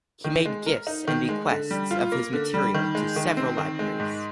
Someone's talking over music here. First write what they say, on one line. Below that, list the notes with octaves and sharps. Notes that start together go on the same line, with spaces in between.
He made gifts and bequests of his material to several libraries.
D#3
G#3
A#4
D#4
D#3
G#3
D3
G3
F4
A#3
D3
G3
D#3
G#3
D#3
C4
D#3
G#3
G#2